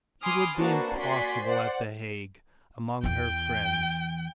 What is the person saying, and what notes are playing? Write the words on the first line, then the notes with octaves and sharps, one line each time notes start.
He would be impossible at the Hague, among her friends.
G#5 B5 C6 D6 D#6 F6
A#3 C4 D4 F#4 B4 A5
F#4 D5 G#5 C6 B6
C5 D5 F#5
E2 E3 G5